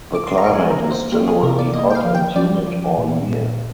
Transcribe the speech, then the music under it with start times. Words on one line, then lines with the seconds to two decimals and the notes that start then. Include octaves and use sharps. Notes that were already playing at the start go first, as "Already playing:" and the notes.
The climate is generally hot and humid all year.
0.15 D6
0.27 C6
0.38 A#5
0.50 F3 G#5
0.71 A#5
0.80 A#3
0.91 C5
1.12 A#3 G4
1.27 G#4
1.43 C3 A#4
1.59 D5
1.73 A#3 D#5
1.90 G5
1.95 F5
2.05 F3
2.15 G5
2.36 F3 D5
2.67 F3
2.98 A#2
3.29 A#2